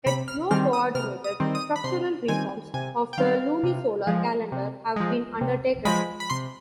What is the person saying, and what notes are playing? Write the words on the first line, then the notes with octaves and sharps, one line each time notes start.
Yet no coordinated structural reforms of the lunisolar calendar have been undertaken.
C3 B5
F6
D#3 G3 C4 F6
D#6
C3 F6
D#6
D#3 G3 C4
D#6
B5
C3 C6
D#3 G3 C4 G#5
C3 G#5
G5
D#3 G3 C4 F5
C3
F3 G#3
C3
F3 G#3
C3
F3 G#3 B5
B5
C3 C6